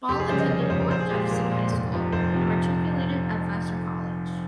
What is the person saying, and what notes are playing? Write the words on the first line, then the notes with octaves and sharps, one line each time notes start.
Ball attended Port Jefferson High School, and matriculated at Vassar College.
F1 G4
G#4
F2 C#3 G3 C5
D#5
F1 D#5
C#5
F2 C#3 G3 C5
A#4
A#1 C5
G#4
A#2 G#3 G4
G#4
A#1 A#4
A#2 G#3
F1
F2 C3 F3
F1 C5
C3 F3